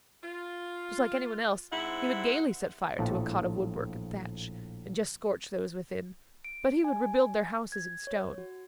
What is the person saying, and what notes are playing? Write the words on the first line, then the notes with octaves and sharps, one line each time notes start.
Just like any one else, he would gaily set fire to a cot of woodwork and thatch, and just scorch those within; but he would rebuild their houses in stone.
F4
G#2 C4 E4 F#5
A#1 A2 F3 A5
D7
G#5
G#6
C#5
F#4